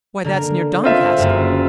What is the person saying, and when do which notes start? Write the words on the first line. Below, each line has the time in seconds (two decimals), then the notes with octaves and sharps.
"Why, that's near Doncaster."
0.24 D3 A#3 A#4
0.84 C4 F4 E5
1.18 F#1 F#2 A#3